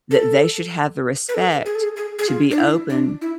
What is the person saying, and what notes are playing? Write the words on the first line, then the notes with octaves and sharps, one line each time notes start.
that they should have the respect to be open
A4
B4
A4
G#4
A4
G#4
G#4
G#4
F4
D4
E4
D4
E4